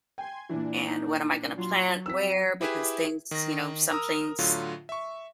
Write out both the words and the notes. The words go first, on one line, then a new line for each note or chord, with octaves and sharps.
And what am I going to plant where?" Because things you know, some things
G5 G#5 C6 G#6
A#2 E3 D4
D#4
F#3 F4
C4 E6 B6
E4 G4 G#4 B4 E5
D#3 A#6
A#4 A#5 D#6 E6
A2 D3 F#3 F4
E5 C#6